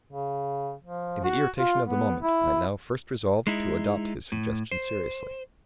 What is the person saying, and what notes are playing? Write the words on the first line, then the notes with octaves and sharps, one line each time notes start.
In the irritation of the moment, I now first resolved to adopt his suggestion seriously.
C#3
F3
F#4
F4
B3
E4
G#3 D#4 E4
A2
C5